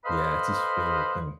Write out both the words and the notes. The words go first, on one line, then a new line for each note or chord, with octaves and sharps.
Yeah, it's his favorite thing.
A4 B4 C5 D#5 F5 B5